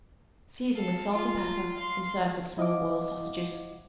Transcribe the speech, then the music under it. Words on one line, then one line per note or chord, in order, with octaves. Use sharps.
Season with salt and pepper, and serve with small boiled sausages.
A4 F5
F4
F5 C6
E4 D#5 F5 F#5 D6